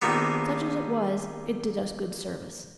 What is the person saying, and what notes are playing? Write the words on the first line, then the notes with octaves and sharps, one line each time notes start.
Such as it was, it did us good service.
A#1 C3 D#3 A#3 B3